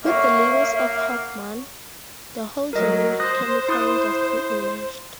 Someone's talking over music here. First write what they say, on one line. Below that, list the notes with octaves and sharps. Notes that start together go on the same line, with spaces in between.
With the labours of Hofmann, the whole German chemical industry emerged.
A#3 F#4 C#5 E5 F5
F#3 A#4 D#5
C5 D#6 F#6 A#6
E4 D#6 F#6